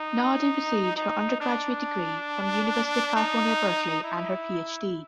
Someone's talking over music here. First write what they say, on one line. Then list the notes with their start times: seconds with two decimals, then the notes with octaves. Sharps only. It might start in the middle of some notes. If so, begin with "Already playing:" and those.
Nardi received her undergraduate degree from University of California at Berkeley and her PhD.
Already playing: D#4
0.97 D#4
1.41 D4
3.16 D#4
4.04 E4